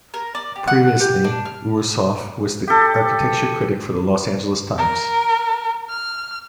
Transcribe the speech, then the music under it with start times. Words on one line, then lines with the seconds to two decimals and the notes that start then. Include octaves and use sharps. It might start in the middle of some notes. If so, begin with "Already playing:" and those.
Previously, Ouroussoff was the architecture critic for the "Los Angeles Times".
0.14 A#4
0.35 D5
0.56 G4
0.68 F#5
1.00 G4
1.24 D4
1.45 F6
2.68 G4 A4
4.78 A#4
5.89 F6